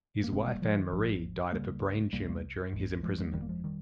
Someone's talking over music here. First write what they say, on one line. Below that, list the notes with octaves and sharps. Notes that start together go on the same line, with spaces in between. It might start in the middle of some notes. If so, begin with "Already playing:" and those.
His wife Anne Marie died of a brain tumour during his imprisonment.
A#3
F1 F2 C3 G#3 C4
G3 A#3
F3 G#3
D#3
G#1 G#2 F3
C#2 C#3 G3 A#3
C2 C3 G3 A#3
G3 A#3
A#1 G#2
F3 G#3
F3 G#3
G1 F2 C3 D#3 G3
A#3
F3 G#3
D#3 G3